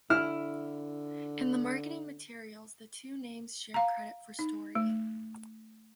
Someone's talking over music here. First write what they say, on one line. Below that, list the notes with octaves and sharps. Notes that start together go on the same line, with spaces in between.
In the marketing materials the two names share credit for story.
D3 E4 F6
F5 A#5
D#4
A3